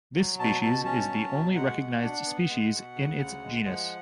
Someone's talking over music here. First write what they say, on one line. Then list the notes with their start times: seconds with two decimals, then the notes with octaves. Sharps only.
This species is the only recognized species in its genus.
0.15 F#3
0.39 B2 A5
0.62 B2 A5
0.85 C#4 A5
1.09 F#3
1.32 B2
1.55 G#3 F#5
1.79 B2
2.02 D4
2.25 B3
2.49 G#3
2.72 B2
2.96 C#3
3.19 D2
3.42 G#3
3.66 F3